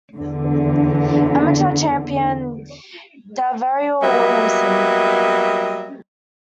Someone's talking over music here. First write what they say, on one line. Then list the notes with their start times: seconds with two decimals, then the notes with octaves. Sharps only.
Amateur Champion DaVarryl Williamson.
0.18 E2 D3
4.02 F#3 G3 A#3 B3 D#5 E5